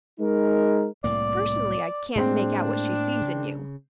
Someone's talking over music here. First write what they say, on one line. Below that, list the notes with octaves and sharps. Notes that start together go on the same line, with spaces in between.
Personally, I can't make out what she sees in you.
G#3 D#4 A#4
C2 A2 A#3 D5
A2 G#3 A#3 C4 D4
C#3